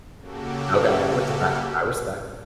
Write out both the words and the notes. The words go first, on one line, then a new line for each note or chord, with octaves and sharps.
okay. I respect, I respect.
C#3 A#3 F#4 G4 A4